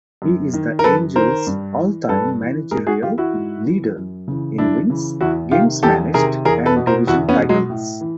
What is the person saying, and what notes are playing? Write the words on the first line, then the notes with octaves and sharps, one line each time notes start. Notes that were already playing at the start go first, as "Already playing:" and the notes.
He is the Angels' all-time managerial leader in wins, games managed, and division titles.
F#2
D#3
A#4
F#2 A4 B4
D#3 A#4 C5
G2
E3
G2 A4 B4
E3
G#2 G#4 A#4
F#4 G#4
E3 F4 G4
E4 F#4
G#2
E3
F#2
C#3 E3
F#2 D4 E4
C#3 E3
E2 E4 F#4
C3 D#3 F4 G4
E2 G4 A4
C3 D#3 G#4 A#4
E2 G#4 A#4
A4 B4
B2
A#4 C5
E2 E4 F#4
B3 C#4
B2
F#3 G#3
A2
E3